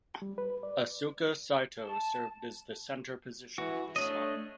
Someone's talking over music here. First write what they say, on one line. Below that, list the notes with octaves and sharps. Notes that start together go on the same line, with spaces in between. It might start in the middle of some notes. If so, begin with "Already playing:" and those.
Asuka Saito served as the center position of this song.
G3
B4
D5
A5
E3 F#4
A3 D4 C#5 D#5